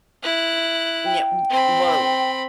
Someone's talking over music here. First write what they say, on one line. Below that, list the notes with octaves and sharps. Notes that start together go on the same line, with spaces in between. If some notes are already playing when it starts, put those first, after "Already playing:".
Yeah we well,
E4 F#6
G5
C4 B5